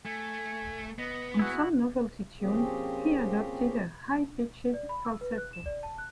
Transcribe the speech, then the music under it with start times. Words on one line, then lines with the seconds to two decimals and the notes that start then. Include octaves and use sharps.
On some novelty tunes he adopted a high-pitched falsetto.
0.05 A3 G#5
0.99 B3 D#5
1.39 E4 F#4 G#4
2.41 F3 A#3 C4 C#4 G4 G#4
4.74 D5
4.89 B5
5.05 E6
5.21 B4
5.38 F#6
5.53 E7
5.66 D5
5.83 A5
5.98 F#6